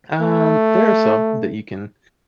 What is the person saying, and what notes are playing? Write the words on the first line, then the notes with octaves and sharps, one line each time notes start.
Um, there are some that you can
A3